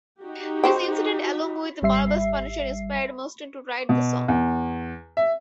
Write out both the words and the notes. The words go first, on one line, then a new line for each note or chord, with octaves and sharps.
This incident, along with Marvel's Punisher, inspired Mustaine to write the song.
D#4 F#4 G4
C#3 C5 G5
G#1 G3 E5 C7
B2
E2
E5